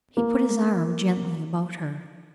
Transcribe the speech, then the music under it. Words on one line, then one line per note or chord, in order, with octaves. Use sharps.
He put his arm gently about her.
A#3